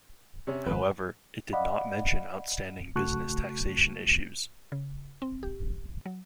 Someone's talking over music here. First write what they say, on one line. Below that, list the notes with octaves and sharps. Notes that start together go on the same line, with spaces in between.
However, it did not mention outstanding business taxation issues.
C3 C#4
G#1 F2 B4
D5 D#5 F5 F#5 B5
C#3 A3 F#4 A5 C#6 F#6
C#3
C4
G4
F#3